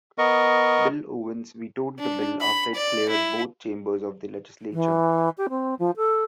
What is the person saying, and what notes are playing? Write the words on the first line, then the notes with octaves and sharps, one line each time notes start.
Bill Owens vetoed the bill after it cleared both chambers of the legislature.
B3 A#4 D#5 C#6
D4
B5
D5
E4
E3
G4
C4
F3
A4